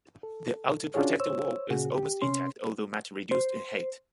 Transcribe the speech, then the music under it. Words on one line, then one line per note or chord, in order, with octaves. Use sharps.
The outer protective wall is almost intact although much reduced in height.
A4
C#4 D4 F4 F#4 G#4 C#5
C5 C#5 E6
A#2 C#3 F#4 G#4
G4
C3 C#4 C6
C5